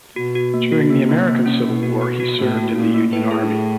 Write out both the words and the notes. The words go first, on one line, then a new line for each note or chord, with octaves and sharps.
During the American Civil War, he served in the Union Army.
B2 F#4
F#4
A#3
F#4
C3 A#3
A#3
A#3
C#4
B2 A#3
F#4
F#4
F#4
A2 A#3
F#4
A#2 C#4
A#3
A2 B4
G#4
G#4